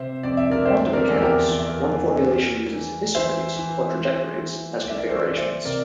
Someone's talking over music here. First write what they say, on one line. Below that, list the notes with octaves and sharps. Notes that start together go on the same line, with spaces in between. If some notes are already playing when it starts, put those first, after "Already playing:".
In quantum mechanics one formulation uses "histories", or trajectories, as configurations.
Already playing: C3 C5 E5
F2 D5
E5
A#4 D5
D3 C5 E5
A#4 D5
E2 A4
G4 A#4
E3 D5
E5
A#4 D5
E3
E3
E3
E3 C5 E5
E3
E3
E3
E3 D5
E5
A#4 D5
A4 C5
E3
D5
C5 E5
C3 A#4 D5